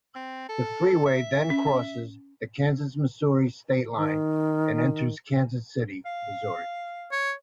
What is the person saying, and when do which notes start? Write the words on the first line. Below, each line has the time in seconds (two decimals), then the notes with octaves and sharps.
The freeway then crosses the Kansas-Missouri state line and enters Kansas City, Missouri.
0.15 C4
0.49 A4
1.06 E5
1.50 C#4
3.97 D#3
6.06 F5
7.12 C#5